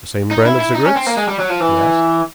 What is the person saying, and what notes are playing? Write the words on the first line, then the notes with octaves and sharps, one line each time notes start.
"The same brand of cigarettes?" he asked.
D#4
E4
E4
D#4
C#4
C4
A#3
G#3
G3
F#3
F3
E3